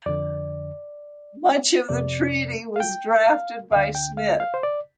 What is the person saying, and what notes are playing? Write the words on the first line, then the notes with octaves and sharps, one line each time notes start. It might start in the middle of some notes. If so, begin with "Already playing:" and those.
Much of the treaty was drafted by Smith.
F2 D3 D5
F2 C3 D5
F5
G5
F5
D2 D3 F5
G5
F5
F5
C5
D5